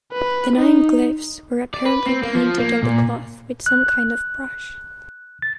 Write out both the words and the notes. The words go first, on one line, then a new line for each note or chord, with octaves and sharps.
The nine glyphs were apparently painted on the cloth with some kind of brush.
B4
D#4
D5
B4
C4
A#3
F3
A#3
A#2
F#6
A6